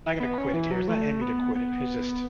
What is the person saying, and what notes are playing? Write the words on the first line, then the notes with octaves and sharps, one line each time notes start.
I'm not gonna quit it here, it's not in me to quit it, it's just,
B3
C#4
E3
F#3
A3
B3
B3